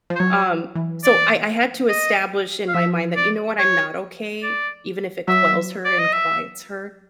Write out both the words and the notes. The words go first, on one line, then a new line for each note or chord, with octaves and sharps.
Um, so I I had to establish, in my mind, that, "You know what, I'm not okay, even if it quells her, and quiets her,
F3
C5
F#3 C#5
E3
D5
D#5
F5
F3 E5
D5
C#5
D5
F#3 E5
D5
D#5
E5